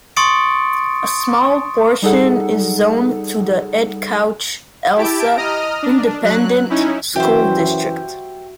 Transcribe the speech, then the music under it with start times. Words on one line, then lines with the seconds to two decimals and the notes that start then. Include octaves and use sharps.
A small portion is zoned to the Edcouch-Elsa Independent School District.
0.16 C6 C#6 D#6 A6 C#7 D7
2.02 G3 D#4 G#4 A4 F#5
4.97 E4 G4 A5 D7
5.37 D#5 A#5 D#6 F6
5.83 D4
6.23 F#3 F#6
6.70 C#4 D#4 E4
7.16 F#2 E3 F#4 G4 C5 E5